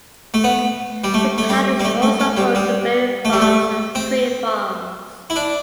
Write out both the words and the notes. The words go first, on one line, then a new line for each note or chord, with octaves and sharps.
The town is also home to berry farms and tree farms.
A3
B3
G3
A3
A3
G3
G3
A3
A3
A3
G3
G3
A3
G3
A3
C4
E4
D4